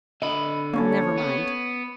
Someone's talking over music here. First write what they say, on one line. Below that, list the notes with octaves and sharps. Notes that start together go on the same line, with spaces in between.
Never mind.
D3 D#5 B5
A#3 C#4 A4 C#5
B3